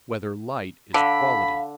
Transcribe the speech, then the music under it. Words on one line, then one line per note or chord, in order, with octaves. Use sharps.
Whether Light Is a Quality?
D3 F5 B5